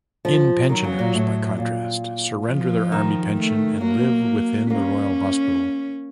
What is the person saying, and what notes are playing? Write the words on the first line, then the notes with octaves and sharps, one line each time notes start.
In-Pensioners, by contrast, surrender their army pension and live within the Royal Hospital.
F3
D#3 F#3
C#3
A#2
A2
A#2
F3
D#3
A3
F#3 A#3
A#3 C#4